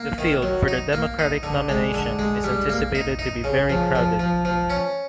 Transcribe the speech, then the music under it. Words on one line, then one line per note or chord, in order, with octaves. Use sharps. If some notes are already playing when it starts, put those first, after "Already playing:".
The field for the Democratic nomination is anticipated to be very crowded.
Already playing: A#3
D#3
F#3
D#4
A#3
D#4
D3
G#3
D3
G#3
G3
A#3
D#4
D#4
C#3
F3
F3
F3
F3
C#4